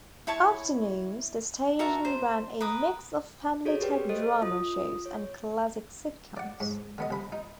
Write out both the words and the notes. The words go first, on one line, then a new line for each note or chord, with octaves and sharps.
Afternoons the station ran a mix of family type drama shows and classic sitcoms.
E4 C#5 A5 C#6
F#4 A#4 E5 A5
C5
A#4 B4 D#6
F#4 G#4 A4 C#5 D5
G4 B4 G5
A4 C5 D#5
F4 D#6
C#5
D5 F#5
G#2
D3 B3 D#5
C2 B5
D#4